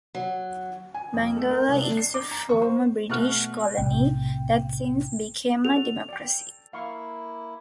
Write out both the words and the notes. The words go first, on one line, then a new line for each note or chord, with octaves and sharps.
Bangalla is a former British colony that since became a democracy.
F#3
G#5
F2
A3
A#4
C2
D4
C7
D6
A#5
C#6
C5
B2 A3 F#5 C#6 F6 F#6
B1 A2 C3 G5
F#4 A4 F7
D5 G5
A#3 E4 F5 C#6